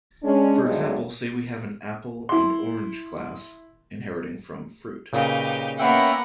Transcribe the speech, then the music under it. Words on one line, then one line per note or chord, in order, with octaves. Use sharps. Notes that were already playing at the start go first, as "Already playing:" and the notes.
For example, say we have an Apple and Orange class inheriting from Fruit.
G#3 C#4 D4
E2 G2 F#3 G#3 A3 D#4
E4 C6
A#2 C#3 D#4 G4 B4
A#3 B3 C#4 A#4 E5 F#5 G5 B5